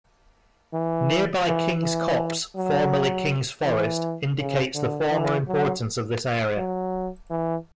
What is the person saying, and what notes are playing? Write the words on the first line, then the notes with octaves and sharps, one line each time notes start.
Nearby Kings Copse, formerly Kings Forest, indicates the former importance of this area.
E3
E3
E3
F#3
E3
C#3
D3
E3
F#3
F#3
E3